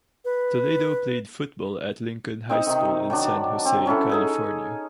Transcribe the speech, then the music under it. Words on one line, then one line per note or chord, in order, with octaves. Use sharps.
Toledo played football at Lincoln High School in San Jose, California.
B4
C4 D#4 D#5 F#5
C3 D#3
D#3 F#3 D4
C4
F#3 C#4 E4 A4
D#4 G#4 A4